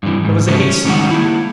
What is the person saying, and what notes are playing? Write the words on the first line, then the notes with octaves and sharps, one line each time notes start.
There was a hiss.
G2 E3
G#2
C#3 F#3 G#3 A3 C#4
C#4
G#2 D#3 G3 G#3 F#5
A#3 E4